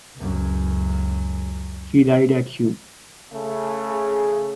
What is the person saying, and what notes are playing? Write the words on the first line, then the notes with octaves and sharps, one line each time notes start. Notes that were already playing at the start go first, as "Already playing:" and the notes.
He died at Huy.
C#2 F#2
C#3 A3
G#4